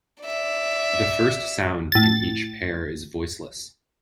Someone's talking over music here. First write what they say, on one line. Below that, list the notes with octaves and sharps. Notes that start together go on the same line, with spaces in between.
The first sound in each pair is voiceless.
D5 E5
A2 A6